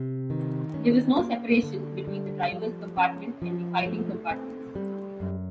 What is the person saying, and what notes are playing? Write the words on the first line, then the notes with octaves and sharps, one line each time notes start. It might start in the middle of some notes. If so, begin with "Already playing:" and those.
There was no separation between the driver's compartment and the fighting compartments.
Already playing: C3
D#3
C#4
A#3
D3
G3
F3
C#4
F3
A3
C4
G3
F#2